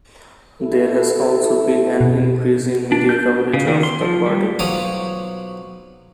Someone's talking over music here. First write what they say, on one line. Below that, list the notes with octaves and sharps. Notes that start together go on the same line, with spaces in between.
There has also been an increase in media coverage of the party.
E4 A4
B2
D4
G6
C#3
D#3
C6
F3
G3
B1 F3 F#3 C#5 D6 D#6